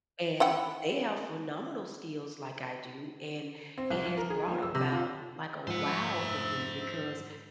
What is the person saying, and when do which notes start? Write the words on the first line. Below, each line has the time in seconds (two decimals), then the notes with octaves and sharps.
And they have phenomenal skills like I do, and it has brought about, like, a, "Wow," for me because
0.40 E3 F#5 G5
3.78 C4
3.90 C2
4.05 F3
4.17 A#4
4.30 G#4
4.48 F3
4.62 E6
4.75 C3
4.92 F4
5.67 G#2 F3 C5 E5 F#5